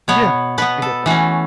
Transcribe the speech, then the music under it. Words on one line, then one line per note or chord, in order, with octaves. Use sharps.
Yeah. I get that.
B2 B3 C#5
B2 B3 B4
A4
E3 A3 C#4 F#4